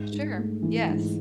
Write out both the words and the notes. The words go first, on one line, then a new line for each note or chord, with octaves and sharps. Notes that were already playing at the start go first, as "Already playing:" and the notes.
Sure. Yes.
Already playing: G#2
G#2
A3
E3
G#2